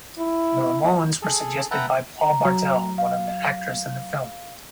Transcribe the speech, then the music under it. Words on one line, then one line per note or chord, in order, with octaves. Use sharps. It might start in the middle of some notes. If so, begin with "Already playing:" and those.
The Ramones were suggested by Paul Bartel, one of the actors in the film.
E4
G#4 A4
B4 E5 F#5 G5 A5 A#5
A#5
F#3
F5